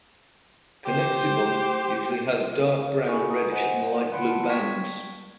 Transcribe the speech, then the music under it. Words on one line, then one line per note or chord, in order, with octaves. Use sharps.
Connexivum usually has dark brown, reddish and light blue bands.
G4 C5
E4 F#4 G#4 A4 G#5 C#6
A#5 D#6
C5 D#5 F#5 G#5
B4 F#5 B5 C6 C#7 D7
B3 A5
G5 C#6 G#6 B6